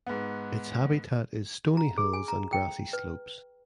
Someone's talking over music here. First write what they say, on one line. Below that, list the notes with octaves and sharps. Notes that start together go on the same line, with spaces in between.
Its habitat is stony hills and grassy slopes.
G#2 B3
A#5
G#4
G#5
A#5
G5
B4